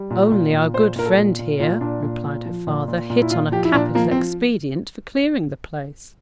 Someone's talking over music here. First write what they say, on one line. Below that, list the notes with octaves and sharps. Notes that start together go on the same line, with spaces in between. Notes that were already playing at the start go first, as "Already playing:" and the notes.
'Only our good friend here,' replied her father, 'hit on a capital expedient for clearing the place.'
Already playing: G3
A#2
A#2
A#2
A#2 C5
A#2 A#4
A4
A#2
A#2
A#2 F4
A#2 D4
A#2
A#2
F3
A#2
A#2
A#2
E4
A#2 F4
F3 G4
E4
A#2 D4
F3 A#3
C4
F3